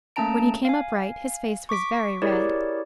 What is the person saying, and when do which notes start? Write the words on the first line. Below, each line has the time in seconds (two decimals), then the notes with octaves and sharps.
When he came upright his face was very red.
0.16 A3 A#3 C#4 A5 A#5 D7
0.65 F5 G#5
1.69 C#6 D6 B6 D7
2.22 E4 G4 G#4 A#4 C#5 D5